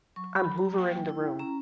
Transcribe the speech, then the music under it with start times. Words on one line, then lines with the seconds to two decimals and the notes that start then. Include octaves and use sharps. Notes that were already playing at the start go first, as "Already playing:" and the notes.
I'm hoovering the room.
0.16 F#3 C#6
0.36 B5
0.46 F#3
0.58 A#5
0.78 A#3 G5
1.09 E4
1.39 C#4 A#5